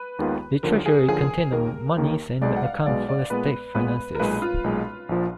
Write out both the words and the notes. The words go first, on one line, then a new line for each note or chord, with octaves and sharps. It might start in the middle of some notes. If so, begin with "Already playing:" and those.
The treasury contained the monies and accounts of the state finances.
Already playing: B4
D#2 D#3 G#3 B3 F4
D#2 D3 F3 A#4
G#4
D#2 D3 F3 G#4
D#2 D#3 A#3 A#4
D#2 D#3 A#3
B1 B2 G#3 D5
F#5
F5
B1 B2 G#3 D5
D5
A#2 G#3 B3 B4
A#2 G#3 B3 B4
A#4
B1 A#2 G#3 B4
F4
B1 A#2 G#3
A#1 A#2 F3